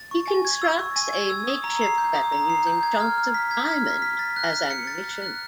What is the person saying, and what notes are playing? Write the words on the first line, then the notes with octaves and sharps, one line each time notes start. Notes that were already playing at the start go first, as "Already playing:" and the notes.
He constructs a makeshift weapon, using chunks of diamond as ammunition.
Already playing: A6
C#6
G#5
G#6
E6
C#6
G#5
G#6
E6
D#6
A#5
C7
G6
D#6
A#5
C7
G6
G#6
F6
F6
B6
G#6
F6
F6
B6
A6
F#6
F#6
C#7
A6
F#6
F#6